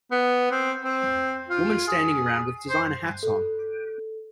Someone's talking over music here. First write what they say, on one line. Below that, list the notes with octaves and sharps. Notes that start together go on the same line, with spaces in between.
Woman standing around with designer hats on.
B3
C4
C4
F4
G#4
C5
A4